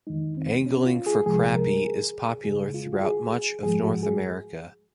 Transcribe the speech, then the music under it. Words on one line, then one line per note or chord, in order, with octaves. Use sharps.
Angling for crappie is popular throughout much of North America.
F2 D#3 G#3 D#4
C4
C#4
F4
G#4
C2 C3 F3 G#3 G#4
A#4
G#4
F2 C#3 G#3 G#4
F4
F#4
G#4
G#2 F3 G#3 G#4
F#4
G#4